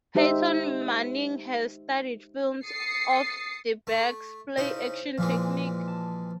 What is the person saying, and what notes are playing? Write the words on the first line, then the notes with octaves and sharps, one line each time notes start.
Peyton Manning has studied films of DeBerg's play-action technique.
G#3 D#4 G4 C5 E5
D#6 A6 C7 C#7
A3
C#3 D#4 E4 C5
A#2 E3 F3 G#3
A5